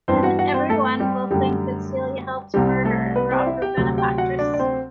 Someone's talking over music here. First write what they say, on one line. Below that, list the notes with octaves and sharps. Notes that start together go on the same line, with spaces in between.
And every one will think that Celia helped to murder and rob her benefactress.
G2 E3 B3 C4 C5
F#4 F#5
F#4 F#5
C4 C5
A3 A4
G3 G4
F#2 D3 G3 A3 G4
C2 C3 G3 C4 G4
A3 A4
B3 B4
C4 C5
D5
E4 E5
G4 G5
D2 C3 F#3
G4 G5
F#4 F#5
D4 D5
D5
C4 C5